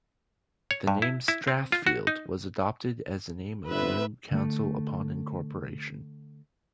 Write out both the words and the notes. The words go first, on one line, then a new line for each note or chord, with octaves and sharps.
The name "Strathfield" was adopted as the name of the new council upon incorporation.
C#5
G2
E4
E4
C4
F4
F#4
D#4
G1 B3 C4 B4 E5
D3 A3